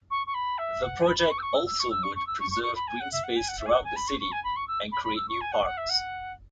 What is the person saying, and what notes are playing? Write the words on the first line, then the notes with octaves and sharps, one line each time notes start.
The project also would preserve greenspace throughout the city and create new parks.
C#6
C#6
B5
E5
F#5
G#5
B5
B5
C#6
E6
C#6
E6
E6
C#6
E6
C#6
C#6
E6
C#6
C#6
C#6
B5
G#5
F#5
E5
F#5
G#5
F#5
E5
G#5
F#5
G#5
B5
C#6
C#6
G#5
B5
C#6
E6
B5
B5
E6
C#6
G#5
F#5
F#5
E5
F#5